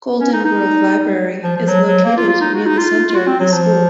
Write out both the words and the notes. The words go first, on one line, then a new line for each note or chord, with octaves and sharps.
Golden Grove Library is located near the centre of the school.
C#4
D#4
D#4
F3
F3
F#3
F#3
A#3
F4
F4
D#4
F#4
D#4
F4
F4
F#4
C4
F#3
F3